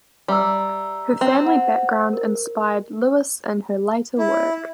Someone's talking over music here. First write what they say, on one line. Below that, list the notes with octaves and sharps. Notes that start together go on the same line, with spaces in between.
Her family background inspired Lewis in her later work.
G3 E5 A#5 E6
C4
F#5
A#4
E4